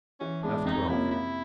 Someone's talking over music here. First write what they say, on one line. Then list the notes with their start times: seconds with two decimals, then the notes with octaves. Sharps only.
Half twelve.
0.20 E3 C#4
0.43 G#3 B3 D4
0.65 F2 D#4
0.88 C3 F3 A#3 C#4 E4
1.10 C3 E4